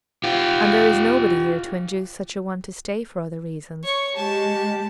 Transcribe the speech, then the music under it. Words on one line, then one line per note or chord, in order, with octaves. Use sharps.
And there is nobody here to induce such a one to stay for other reasons.
F4 G4
C#5 C#6
G#3 G4 A5